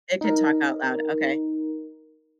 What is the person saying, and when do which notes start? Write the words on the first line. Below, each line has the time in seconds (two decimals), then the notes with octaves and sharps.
It can talk out loud. Okay.
0.21 D#4 A#4